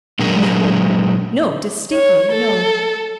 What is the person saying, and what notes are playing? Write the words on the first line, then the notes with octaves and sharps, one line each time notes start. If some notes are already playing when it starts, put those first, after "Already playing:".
"No, no--distinctly no."
A#2 F#3 G#3 D4 A#4
C#5
A4